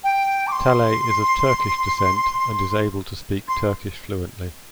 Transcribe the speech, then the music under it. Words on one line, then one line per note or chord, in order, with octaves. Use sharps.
Talay is of Turkish descent, and is able to speak Turkish fluently.
G5
D6
C6
C6